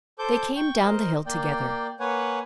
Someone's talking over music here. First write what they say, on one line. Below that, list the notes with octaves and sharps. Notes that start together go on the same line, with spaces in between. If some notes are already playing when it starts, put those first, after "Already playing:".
They came down the hill together.
A4 C5 D6 G6
G5 C#6
A#4 C5 D#5
A#3 D5 G5
A#3 B4 C#5 F#5 G#5